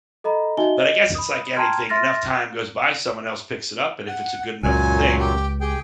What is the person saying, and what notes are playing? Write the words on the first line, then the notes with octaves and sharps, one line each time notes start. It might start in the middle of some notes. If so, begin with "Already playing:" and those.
but I guess it's like anything, enough time goes by, someone else picks it up, and if it's a good enough thing,
A4 D#5 A#5 B5
D#4 F#4 D#5 E5 G#5 G7
D#5
B5 D#6
G5 A5 A#5 C6 F6 G#6
E5 C6 F6 A6 A#6
F#5
C#2 F#2 A#2 F#3 G#5
G4
G4 G#4 G5